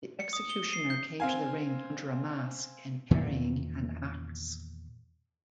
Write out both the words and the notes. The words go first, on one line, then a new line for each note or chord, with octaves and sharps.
The Executioner came to the ring under a mask and carrying an axe.
C#7
D#6
G7
C7
G6
C4 F5 G#5
E2 A#2 D#3 E3